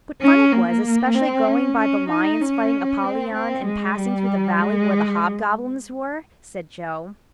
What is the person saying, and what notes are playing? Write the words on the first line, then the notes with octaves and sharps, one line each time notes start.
"What fun it was, especially going by the lions, fighting Apollyon, and passing through the valley where the hob-goblins were," said Jo.
C#4
A#3
C4
C#4
C#4
D#4
C#4
C4
C4
G#3
G3
G#3